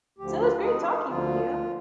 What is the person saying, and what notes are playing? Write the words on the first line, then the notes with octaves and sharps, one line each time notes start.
So, it was great talking to you.
D2 D3 F3 G4
F4
D#4
C4
D4
D#4
D2 D3 F3 F4